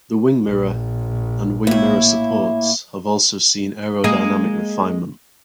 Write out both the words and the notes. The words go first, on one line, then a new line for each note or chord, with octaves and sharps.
The wing mirror and wing mirror supports have also seen aerodynamic refinement.
A#1
A2 A#3 E4
G#3 A#3 G#4